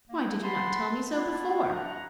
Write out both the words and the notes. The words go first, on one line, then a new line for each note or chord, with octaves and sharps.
Why did you not tell me so before?
A#3
B4 F#5 A5 B5 C6
A#3 B3 D4 E4 F4
D4 F#5 A#5